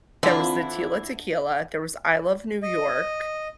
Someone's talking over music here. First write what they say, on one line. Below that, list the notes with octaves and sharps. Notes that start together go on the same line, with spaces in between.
there was the Tila Tequila, there was I Love New York,
D3 E3 C4 D4 E4 F4
D#5